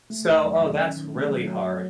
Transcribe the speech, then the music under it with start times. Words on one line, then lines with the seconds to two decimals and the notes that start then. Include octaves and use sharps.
So, oh, that's really hard.
0.10 A3
0.28 E2
0.45 F#3
0.62 D#3
0.80 C#4
0.97 D#3
1.14 A3
1.31 F#3
1.48 F#3
1.67 F#3